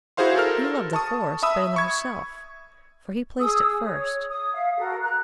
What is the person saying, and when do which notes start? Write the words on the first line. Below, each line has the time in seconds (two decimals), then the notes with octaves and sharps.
He loved the Forest better than herself, for he placed it first.
0.17 E4 F#4 G#4 C5 F5 C6
0.36 A4 A#4 F6
0.93 A5 C#6 D#6
1.43 E5 B5 D#6 E6
1.76 C#6 G#6
3.39 G#4 D#6 E6
3.82 C#5
4.29 D#6
4.53 E5 F5
4.77 F#4 A4 A#4
5.01 A#5 F#6